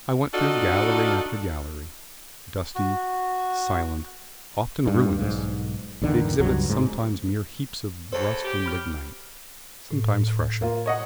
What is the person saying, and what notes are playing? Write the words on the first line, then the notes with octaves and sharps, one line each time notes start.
I went through gallery after gallery, dusty, silent, often ruinous, the exhibits sometimes mere heaps of rust and lignite, sometimes fresher.
D4 D#4 F4 F#4 A4
F#4
G2
B1 G#2
A#1 E2 D3 D#3
C#2 G2 F#3
D1 G#2
E2 A4 C5 C#5
G4
B5 F6
A2
A#3 F4
C#5 D#5 F#5